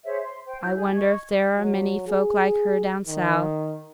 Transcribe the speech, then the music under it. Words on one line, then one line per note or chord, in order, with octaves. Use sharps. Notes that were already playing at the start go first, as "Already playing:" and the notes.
'I wonder if there are many folk like her down South.
G#4 C5 C#5 E5
C6
C5 G5
E4 G6
G#4 G#5
D#5 C#6 G#6
F#3
G#4
D#3